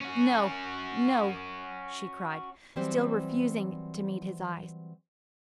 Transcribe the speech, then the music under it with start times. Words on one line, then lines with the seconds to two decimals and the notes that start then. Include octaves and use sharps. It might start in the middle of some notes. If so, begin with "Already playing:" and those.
"No, no," she cried, still refusing to meet his eyes.
0.01 C#4 F#4
2.76 E3 F#3 G3 C4 C5